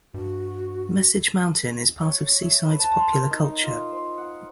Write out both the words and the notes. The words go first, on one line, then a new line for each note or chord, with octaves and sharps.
Message Mountain is part of Seaside's popular culture.
G2 F#4
C#5
E5
B4
A5
C6
A#4
D#4
D#4
F4
C5
F#5